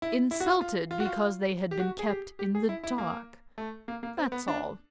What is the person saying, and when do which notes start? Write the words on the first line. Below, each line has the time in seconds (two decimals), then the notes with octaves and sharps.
Insulted because they had been kept in the dark--that's all.
0.02 E4
0.31 E4
0.40 F#4
0.46 F4
0.61 F4
0.91 F4
1.00 F#4
1.05 F4
1.71 G4
1.80 F#4
1.99 G#4
2.09 G4
2.39 G4
2.55 G#4
2.69 E4
2.84 E4
2.98 A#3
3.58 A3
3.88 A#3
4.03 A#3
4.17 C4
4.32 B3
4.48 D4